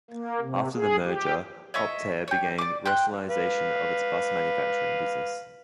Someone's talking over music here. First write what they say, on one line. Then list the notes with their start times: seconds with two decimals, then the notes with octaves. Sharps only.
After the merger, Optare began rationalisation of its bus manufacturing business.
0.11 A#3
0.40 C3
0.75 G#4
1.05 G4
1.74 C#5 D#5 E5 C#6
2.28 G4 C#5
2.58 D5 D6
2.86 G5 C6 F#6
3.28 B4 F5